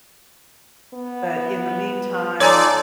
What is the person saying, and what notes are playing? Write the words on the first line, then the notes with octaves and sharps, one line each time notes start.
but in the meantime,
B3
D#4 F4 A4 C#5 D5 G#5 A#5